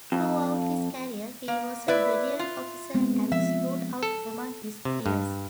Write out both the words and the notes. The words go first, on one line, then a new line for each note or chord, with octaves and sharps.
Throughout his career, he was a brilliant officer and stood out among his peers.
F2
A#3
E4 B4 D5 E5
F4
G#3 B3 C4
F3 E5
A4
C3
G2